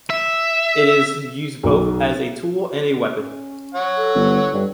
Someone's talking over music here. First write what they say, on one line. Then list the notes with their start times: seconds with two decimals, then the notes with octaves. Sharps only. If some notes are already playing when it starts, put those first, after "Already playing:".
It is used both as a tool and a weapon.
0.10 E5
1.63 B1
3.15 C#4
3.74 C#5 F#5
3.97 A4
4.15 G1
4.53 G2